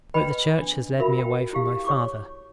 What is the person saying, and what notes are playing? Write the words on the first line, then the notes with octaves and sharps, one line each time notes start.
But the church has led me away from my father.
B4 D#5 G5 B5
D4
F4 F#4 A#4 E5 F5 B5
G5
E4 G4 F5
C#5 C#6 D6